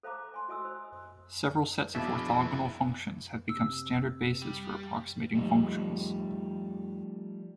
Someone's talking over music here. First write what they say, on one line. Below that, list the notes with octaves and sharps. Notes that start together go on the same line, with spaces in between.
Several sets of orthogonal functions have become standard bases for approximating functions.
A4 C5 F5 A5 A#5 D6
G#5 C6
F#4 D#5 G#5 D#6 E6
C5
B2 F3 D4 E4 G#4 B4 E5
C3 E6
G3
F3 G3 A3 D#4